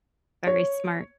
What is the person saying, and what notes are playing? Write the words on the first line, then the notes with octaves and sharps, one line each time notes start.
Very smart.
C#5